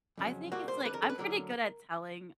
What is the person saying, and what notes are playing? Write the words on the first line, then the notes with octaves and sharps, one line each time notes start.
I think it's, like I'm pretty good at telling,
F2 C#3 F#3
B1 A#2 G3 A#3 F#4
C5
F2 D3 G3 B4
A#4
A4
B4
D2 D3 F#3 A#3 A#4